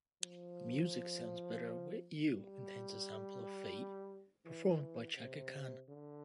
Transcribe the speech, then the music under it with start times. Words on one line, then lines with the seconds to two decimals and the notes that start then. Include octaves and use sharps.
"Music Sounds Better with You" contains a sample of "Fate" performed by Chaka Khan.
0.22 F3
2.34 G3
4.46 E3
5.17 C3
5.88 D3